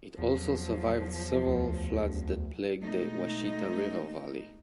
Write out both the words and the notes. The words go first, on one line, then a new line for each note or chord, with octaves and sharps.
It also survived several floods that plagued the Washita River valley.
E2 F3 F#3
D2
B2 G#3 A3 D#4